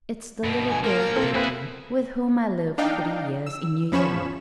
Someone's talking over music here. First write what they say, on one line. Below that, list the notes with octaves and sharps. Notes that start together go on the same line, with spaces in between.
It's the little girl, Patty, with whom I lived three years in New York.
G2 B2
G#5
F3 A#3 A#4
C4 A4
A#3 C4 E4 G#4 B4
D4 D#4 F5 G5
E6
E2 F3 C#4 B5 C#6 E7